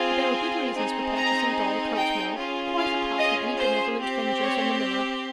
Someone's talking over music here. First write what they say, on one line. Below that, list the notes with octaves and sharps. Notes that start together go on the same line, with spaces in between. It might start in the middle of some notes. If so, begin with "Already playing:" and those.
But there were good reasons for purchasing Dorlcote Mill, quite apart from any benevolent vengeance on the miller.
Already playing: C4 F4 G#4
G#5
C4 D#4 G#4
A#5
G5
C#4 F4 G#4
F5
D#5
C5
C4 G4
C#5